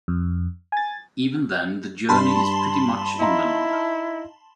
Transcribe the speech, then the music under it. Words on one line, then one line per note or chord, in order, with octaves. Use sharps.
Even then the journey is pretty much inland.
F2
G#5 A6
G2 A5 B5 C6
D#4 E4 F5 A#5